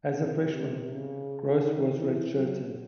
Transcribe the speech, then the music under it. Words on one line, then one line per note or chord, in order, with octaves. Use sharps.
As a freshman, Groce was redshirted.
C3
C3
C#3
D#3
E3
F#3